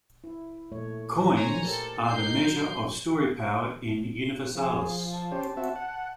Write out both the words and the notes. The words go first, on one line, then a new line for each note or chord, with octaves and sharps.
"Coins" are the measure of story power in Universalis.
E4
A#2 A3 C#5
C5 C#5 G#5 A#5
G4 A4 A#4
D#4 G6 C7
F#3 F#4
F3 G#4
A5
C#4 G4 C5
C4 F#4 E5
F#5